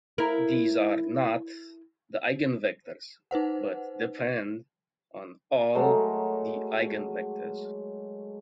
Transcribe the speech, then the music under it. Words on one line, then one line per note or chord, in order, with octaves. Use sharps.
These are "not" the eigenvectors, but "depend" on "all" the eigenvectors.
E4 A#4
D#4 B4 C5 F#5
F#3 G#3 A3 A#4